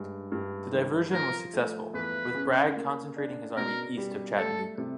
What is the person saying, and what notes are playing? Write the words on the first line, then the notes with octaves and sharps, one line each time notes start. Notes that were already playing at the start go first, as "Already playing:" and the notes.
The diversion was successful, with Bragg concentrating his army east of Chattanooga.
Already playing: G2 G#3
G2
D#3
F3 A#4
A3
E2 B4
C#3
A#3
D4
B2 A#4
G3
A3 A4
C3